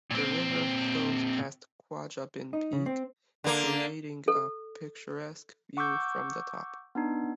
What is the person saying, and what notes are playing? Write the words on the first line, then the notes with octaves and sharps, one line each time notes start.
The river flows past Quajabin Peak, creating a picturesque view from the top.
A#2 C4
D#4
C#3
C4
D3 A#3
A4
F#5 C#6 D6 E6 G6
B3 D4 D#4